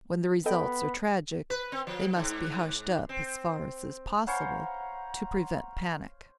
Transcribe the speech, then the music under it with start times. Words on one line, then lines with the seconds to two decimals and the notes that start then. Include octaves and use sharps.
"When the results are tragic they must be hushed up as far as is possible to prevent panic."
0.46 B3 A4 D#5 G5
1.50 B4
1.72 C4
1.87 F3
2.16 G#2
3.09 C4
4.27 C5 C#5 F5 F#5 G#5 A#5 B5 C7